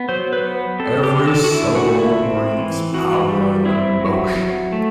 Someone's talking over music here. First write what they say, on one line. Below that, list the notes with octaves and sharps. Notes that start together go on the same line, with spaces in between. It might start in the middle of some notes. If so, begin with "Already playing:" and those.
Every syllable breathes power and emotion.
Already playing: B3
F#3 C5
B4
B3
C4 A4
G4
D3
A4
F#4
D3 E4
F#4
A3
E4
C4
E3
E3 F#4
G3
C4 E4
F#3
F#3
A3